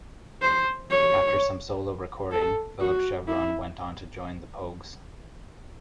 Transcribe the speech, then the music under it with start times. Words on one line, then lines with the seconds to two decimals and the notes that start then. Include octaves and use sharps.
After some solo recording, Philip Chevron went on to join The Pogues.
0.42 C5
0.91 C#5
2.32 A4
2.81 F#4
3.28 E4